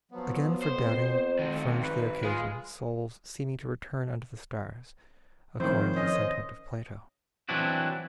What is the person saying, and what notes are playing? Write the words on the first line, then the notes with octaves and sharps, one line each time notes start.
Again for doubting furnish thee occasion Souls seeming to return unto the stars, According to the sentiment of Plato.
F3 F#3 B3
F2 C5
D#3 F#4
B4
G#3 F4 G#4
F2 A2 D#3 C#4 C5
C#4 D#5
E3 F#3 C4 D4 E4 F#4